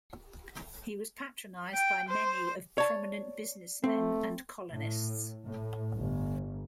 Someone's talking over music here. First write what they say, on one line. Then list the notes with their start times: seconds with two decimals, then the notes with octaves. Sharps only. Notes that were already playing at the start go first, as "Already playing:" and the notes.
He was patronised by many of prominent businessmen and colonists.
1.74 G5
2.09 C5
2.78 C#5 D5 A5
3.84 A3 C4
4.73 A2
5.46 A2
5.95 G1